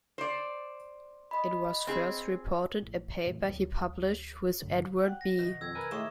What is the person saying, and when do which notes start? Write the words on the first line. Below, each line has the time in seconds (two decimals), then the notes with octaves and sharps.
It was first reported a paper he published, with Edward B.
0.18 C5 D5
1.31 D#5 B5
1.87 C4 G#4
2.82 A1
3.27 A2 E3 F#3
3.47 D1 F#3
4.62 A1 G2 D3 F#3
5.05 F#5 G5 F#6
5.21 A#6
5.39 B2 D#3
5.61 F2 E6 G#6
5.75 A#4 B4 G#5
5.91 A2 G#3 A#3 E4 C#6 D#6 E7